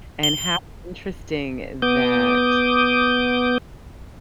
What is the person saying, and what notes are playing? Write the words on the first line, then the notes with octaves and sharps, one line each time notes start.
and how interesting that
G7
B3 D6 D#6 G6